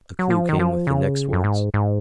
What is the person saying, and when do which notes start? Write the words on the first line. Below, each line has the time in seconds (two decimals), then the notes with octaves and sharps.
A clue came with the next words.
0.19 F#3
0.30 F3
0.49 D#3
0.59 F3
0.87 C#3
1.33 F#2
1.44 G#2
1.74 G#2